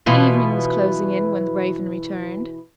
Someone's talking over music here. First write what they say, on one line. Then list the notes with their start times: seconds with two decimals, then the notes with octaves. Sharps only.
The evening was closing in when the Raven returned.
0.06 B2 E3 F4